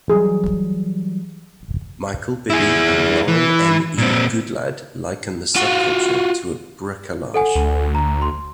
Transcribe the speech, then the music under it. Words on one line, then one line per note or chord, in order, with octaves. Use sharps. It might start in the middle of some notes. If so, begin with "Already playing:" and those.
Michael Bibby and Lauren M. E. Goodlad liken the subculture to a bricolage.
E3 F#3 G3 G#4
E4 G#4
E3
A#2 C4
F4 F#4
A4 F#5 G#5
D2
A#5
C6